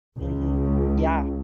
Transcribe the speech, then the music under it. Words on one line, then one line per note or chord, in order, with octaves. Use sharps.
Mhm. Yeah.
C#2